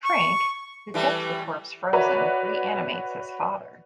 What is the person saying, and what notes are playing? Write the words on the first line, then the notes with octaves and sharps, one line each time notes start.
Frink, who kept the corpse frozen, reanimates his father.
C#6
E3 G3 A3
F#4 B4 C#5 D5 E5